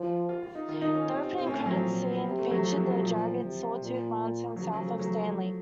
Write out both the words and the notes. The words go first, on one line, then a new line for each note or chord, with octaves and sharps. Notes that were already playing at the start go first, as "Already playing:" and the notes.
The opening credits scene featured the jagged Sawtooth Mountains south of Stanley.
Already playing: F3
F4
F4
D#4
D#3 F4
D#4
C#4
C3 C4
C4
A2 C#4
C4
F#3
F3
A#2
C3
A3
F#3
C3 F3
F#3
F#3
A#2 F3
C3
A#2
F#3
C#3 F3
F#3
A3
F#3
F3